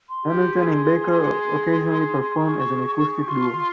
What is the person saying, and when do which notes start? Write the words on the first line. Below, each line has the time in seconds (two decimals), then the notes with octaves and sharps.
Hamilton and Baker occasionally perform as an acoustic duo.
0.09 C6
0.24 G4
0.55 G#4
2.36 G#4 C#6
3.20 G4
3.27 F4 C6